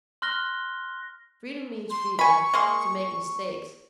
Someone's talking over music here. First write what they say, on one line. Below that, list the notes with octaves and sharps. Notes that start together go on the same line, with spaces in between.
Freedom means freedom to make mistakes.
C6 F6 F#6 A#6 G7
C6
G#5 B5 C#6
G#3 A#3 C6